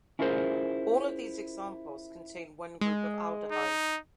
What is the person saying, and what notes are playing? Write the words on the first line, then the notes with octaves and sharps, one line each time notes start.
All of these examples contain one group of aldehyde.
C#4 E4 F4 G#4 A#4 C5
G#3
D#4